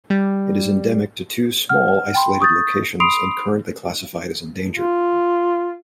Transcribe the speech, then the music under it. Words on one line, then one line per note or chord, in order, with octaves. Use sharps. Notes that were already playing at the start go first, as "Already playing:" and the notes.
It is endemic to two small, isolated locations and currently classified as endangered.
G3
F#5 F6
G5 B5 C6
C#6 D#6 G6 A6
B5 C6 D#6 C7 D7 F7
F4